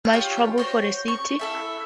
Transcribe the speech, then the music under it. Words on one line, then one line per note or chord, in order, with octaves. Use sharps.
This intense migration caused much trouble for the city.
F4 G4 C#5
F#4 C5 C#5
C#6
E4 A4 E5